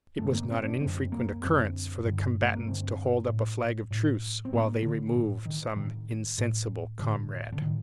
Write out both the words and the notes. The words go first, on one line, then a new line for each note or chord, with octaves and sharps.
It was not an infrequent occurrence for the combatants to hold up a flag of truce while they removed some insensible comrade.
G2 D3 A3
C4
A#3
C4
D4
F#2 D3 C4
A#3
F#2 D3 C4
G2 D3
A3
A#3
G2 D3 C4
A2
A2
C4
A2 A#3
D3
A2
D#3
A2 D#3
A2
A2 D3
D3
A2 D#3